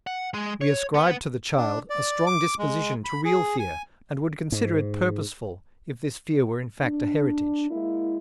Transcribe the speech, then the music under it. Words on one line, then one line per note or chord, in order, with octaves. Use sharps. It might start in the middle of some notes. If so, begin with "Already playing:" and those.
We ascribe to the child a strong disposition to real fear and would consider it purposeful if this fear were in fact a heritage.
F#5
G#3
C#5
B3
D4
D5
D6
G#3
B5
G#4
G#5
G#2
D4
G#3 A#3 E4